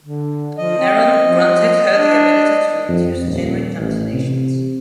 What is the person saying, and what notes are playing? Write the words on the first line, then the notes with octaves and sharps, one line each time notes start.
Neron granted her the ability to induce genuine hallucinations.
D3
F3 D#5
C4
F3
D4
F2
D#1
A1
C3